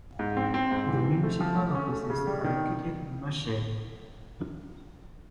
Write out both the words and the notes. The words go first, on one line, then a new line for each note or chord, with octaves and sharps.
The municipal offices are located in Massey.
G#2
C4
C4
G#2
E3
C4
A3
F3
A3
C#4
A3
C#3
G3
D#3